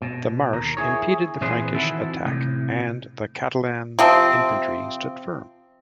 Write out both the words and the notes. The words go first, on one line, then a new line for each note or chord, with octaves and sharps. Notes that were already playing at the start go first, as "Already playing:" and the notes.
The marsh impeded the Frankish attack and the Catalan infantry stood firm.
B2
D#2 A#4
E4 G#4 C#5
A#2 E3 C4 G#4 B4 C6
D#3 E3 C4 E4 F#4 A4
A2 C3
C3 F3 C4